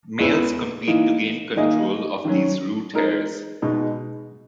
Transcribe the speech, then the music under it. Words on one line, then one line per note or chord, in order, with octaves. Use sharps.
Males compete to gain control of these root hairs.
E2 C#3 G#3 B3 E4
E3 A#3 D#4
D#3 A#3 D#4 G#4 D#5
D#3 F#3 C#4
G#3 D#4 A#4
B2 G#3 D#4